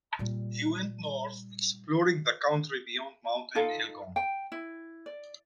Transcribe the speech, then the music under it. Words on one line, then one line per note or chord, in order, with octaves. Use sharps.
He went north, exploring the country beyond Mount Elgon.
A#2 G3
D#4 F4 A4 F5
G5
E4
D5